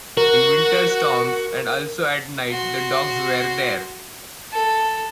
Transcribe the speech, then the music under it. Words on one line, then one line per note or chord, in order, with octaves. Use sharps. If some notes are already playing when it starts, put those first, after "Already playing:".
In winter storms, and also at night, the dogs were there.
F#4 A#4
F#4 C6
A4